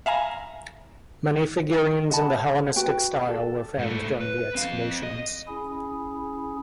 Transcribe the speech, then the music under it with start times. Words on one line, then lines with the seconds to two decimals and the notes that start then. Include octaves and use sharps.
Many figurines in the Hellenistic style were found during the excavations.
0.06 E5 F5 G#5 A#5
2.10 D#5 F#5 A5 B5
2.76 F#4 B4 G5
3.29 A4
3.78 G#2 A3
4.21 B4
4.55 C4 F5
5.03 D#5
5.48 C#4 E4 G#4